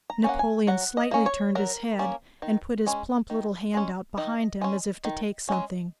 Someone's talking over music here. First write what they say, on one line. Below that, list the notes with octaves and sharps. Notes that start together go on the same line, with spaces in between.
Napoleon slightly turned his head, and put his plump little hand out behind him as if to take something.
A#5
A#3 C#4 F#5
G#5
F#3 F#5
D#5
A#3 C#4
C#5
F#3 A#4
A#3 C#4
D#3
G#3 C#4
D#3
G#3 C#4
D#3 D#5
G#3 C#4
D#3
G#3 C#4